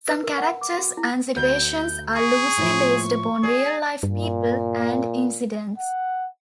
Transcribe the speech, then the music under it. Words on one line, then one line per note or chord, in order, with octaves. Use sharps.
Some characters and situations are loosely based upon real-life people and incidents.
B4
A#4
F#5
D6
F#4
E4
D2 G6
G#4 C#6
A2 F3
G#4 D5
G2 A#2
F#5